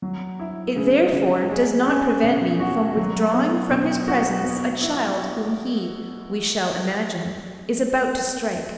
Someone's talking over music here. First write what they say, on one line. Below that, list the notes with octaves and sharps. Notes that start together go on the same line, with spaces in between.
It, therefore, does not prevent me from withdrawing from his presence a child whom he, we shall imagine, is about to strike.
F#3
E4
C#3
C#3
G#3
C#4
B2
F#4
F#3
B3
B2
F#4
B3
E4